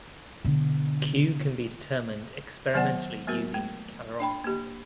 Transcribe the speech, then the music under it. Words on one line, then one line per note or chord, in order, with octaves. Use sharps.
"Q" can be determined experimentally using calorimeters.
B2 D3
D#3 F#3 B3 D5 F#5 G#5
F#3 A#3 B3 F#4 A#4
A3
D4 G5 B5
A#3 G4